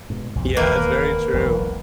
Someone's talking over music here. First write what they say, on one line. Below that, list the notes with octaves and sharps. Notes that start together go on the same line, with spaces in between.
Yeah, it's very true.
G#2 B2
B1 F2 G#2
E1 D#2 E3 A#3 A#4 B4
E1 B1 A2